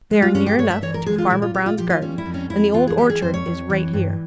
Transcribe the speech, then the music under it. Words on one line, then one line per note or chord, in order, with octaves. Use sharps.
They are near enough to Farmer Brown's garden, and the Old Orchard is right here.
G#3
F4
G2 C#4
G4
G2 C#5
E5
E3 C#5
A#4
G#3 G#4
F4
A#2 E4
F4
A#2 G4
F4
F3 G4
F4
G3 C#4
E4
F2
C#4
F2 E4
E3 F4
G#4
G3 G4
G#4
F2 C5
C#5
F2
E3
G2